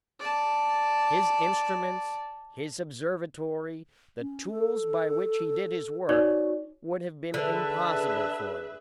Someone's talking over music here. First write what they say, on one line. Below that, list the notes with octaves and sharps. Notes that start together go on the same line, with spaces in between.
His instruments, his observatory--the tools by which he did his work--would have been impossible for him.
D5 A5
C#4
A4
D#4 F#4 C#5 D5
D3 G#4 B4 E5